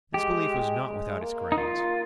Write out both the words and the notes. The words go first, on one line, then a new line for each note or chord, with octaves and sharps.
This belief was not without its grounds.
G#3 G4
G#3
A#3
D#4
A#3 F4